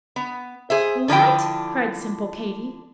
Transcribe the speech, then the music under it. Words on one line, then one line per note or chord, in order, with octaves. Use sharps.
"What!" cried simple Katy.
B3
G#4 C5 E5
D3 F3 D4 E4 G5